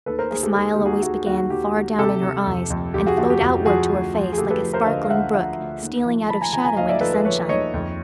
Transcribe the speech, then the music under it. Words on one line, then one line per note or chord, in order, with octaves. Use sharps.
The smile always began far down in her eyes and flowed outward to her face like a sparkling brook stealing out of shadow into sunshine.
D#2 A4 B4
A#4 C5
D#2 G#4 A#4
G4 A4
D#2 A4
G#4
D#2 G4
F#4 G#4
D#2 F#4 G#4
D#2 F#4
D#2 G4
D#2
C3 G4 A4
C3
F2
F2
F2 G4
F#4 G#4
F3 F#4
G4
F2
F3 F#4 G#4
D2
F3
G#4
D2 G4 A4
A4 B4
F3
A#4 C5
D3 D#5 F5
F5
D2 E5 F#5
F3 E5 F#5
D2
D#2
F3
F3 A5 B5
G#5 A#5
F3 G#5 A#5
G#5 A#5
D#2 D#5 F5
D5 E5
F3 A4 B4
A4 B4
F3 B4 C#5
D#2 C#5 D#5
F2